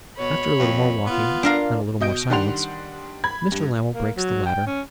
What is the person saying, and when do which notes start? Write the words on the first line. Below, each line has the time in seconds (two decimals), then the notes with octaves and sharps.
After a little more walking and a little more silence, Mr Lammle breaks the latter.
0.19 B2 C#5 B5
0.59 F2
1.06 B3 F4
1.43 D4 A#4 F5
2.00 B2 D#5 G6 D7
2.30 D#3 G3 D4 F#5 C6 F7
3.24 B5 G#6
3.52 G2
3.92 A#3
4.16 F#3
4.46 G5
4.67 C#4